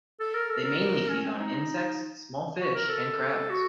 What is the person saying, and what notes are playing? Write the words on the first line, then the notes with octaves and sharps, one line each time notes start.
They mainly feed on insects, small fish and crabs.
A4
A#4
A4
A#4
C#4
C4
D#4
F#4
A#4
A4
F#4